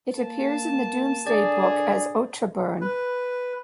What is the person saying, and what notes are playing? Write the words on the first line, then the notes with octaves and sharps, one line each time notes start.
It appears in the Domesday Book as Otrebourne.
A#3 A5
D3 G#4 D5
B4